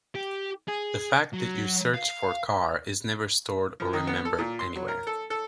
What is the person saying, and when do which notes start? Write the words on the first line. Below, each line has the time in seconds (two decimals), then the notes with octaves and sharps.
The fact that you searched for “car” is never stored or remembered anywhere.
0.15 G4
0.68 G#4
1.34 F#3
1.94 F5
3.80 F3
3.93 D#3
4.07 B3
4.25 A4
4.39 A#2
4.59 C6
4.76 F#3
4.88 A#4
5.07 A4
5.30 A4